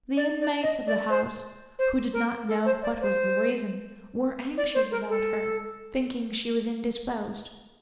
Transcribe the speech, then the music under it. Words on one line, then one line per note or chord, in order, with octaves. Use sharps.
The inmates of the house, who did not know what was the reason, were anxious about her, thinking she was indisposed.
D5
D5
D#5
D5
C5
C5
A#4
A4
C5
D5
C5
D5
C5
A#4
A4